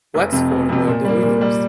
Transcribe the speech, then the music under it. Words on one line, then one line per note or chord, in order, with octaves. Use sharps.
Wexford were the winners.
F1
F2 C3
F1
F2 C3
A#2
G3 A#3
A#2
G3 A#3